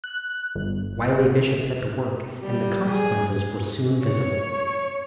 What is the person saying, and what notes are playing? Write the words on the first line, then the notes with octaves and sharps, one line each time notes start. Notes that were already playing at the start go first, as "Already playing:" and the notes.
The wily bishop set to work, and the consequences were soon visible.
F#6
G1
G3
G#4
C#5